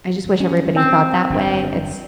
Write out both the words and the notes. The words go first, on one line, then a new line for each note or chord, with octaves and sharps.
I just wish everybody thought that way. It's
C#4
C4
G1 F2 D4